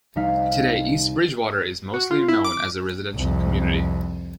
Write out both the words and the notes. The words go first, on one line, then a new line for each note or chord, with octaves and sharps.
Today, East Bridgewater is mostly known as a residential community.
C2 G3 D#4 F5 B6
F#4
F4
E4
D6
C2 F2